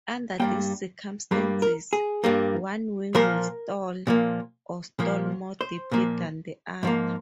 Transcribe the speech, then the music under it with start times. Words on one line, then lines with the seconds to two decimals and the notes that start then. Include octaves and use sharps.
Under these circumstances, one wing will stall, or stall more deeply than the other.
0.40 G2 G3 A#3 G5
1.31 G2 G3 A#3
1.62 A#4
1.93 G#4
2.24 G2 G3 A#3
3.15 A#2 F3 A#3 A#4
4.07 A#2 F3 A#3
4.99 A#2 F3 A#3
5.61 C5
5.92 A#2 F3 A#3
6.83 G#2 F3 A#3